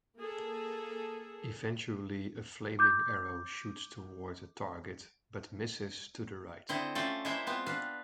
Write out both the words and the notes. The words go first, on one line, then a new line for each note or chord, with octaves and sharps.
Eventually a flaming arrow shoots toward a target, but misses to the right.
A#3 G#4 A4
D6 G6
D3 C4 E4 D#5
A3 C#4 F4 A4 D5 G5
G#3 A#3 E4 C5 E5 G5
B3 C4 F4
D4 B4 F5